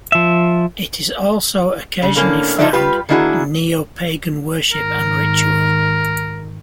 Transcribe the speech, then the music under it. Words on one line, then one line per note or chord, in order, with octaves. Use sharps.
It is also occasionally found in NeoPagan worship and ritual.
F3 E5
C#3
A2 D3 A#3 C#4
F3 D#4 F4 A4 D5 E5
G3 F4 G4 B4
D#3 A#3 D4 E4 F#4 G#4
G#2 D#3 A#4